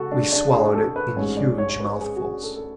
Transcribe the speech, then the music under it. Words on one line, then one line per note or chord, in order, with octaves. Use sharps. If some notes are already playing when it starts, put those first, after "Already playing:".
We swallowed it in huge mouthfuls.
Already playing: C#3 G#3 F#4 A4
D4
D4
G#4
A4
B4
A1 G#2 G#3 C#5
D5
C#5
C#5
B4
G#4
F#4
G#4
A4
A4